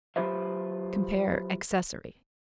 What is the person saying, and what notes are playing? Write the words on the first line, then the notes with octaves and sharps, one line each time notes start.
Compare ACCESSORY.
F#3 F4 G4 B4 C5 E5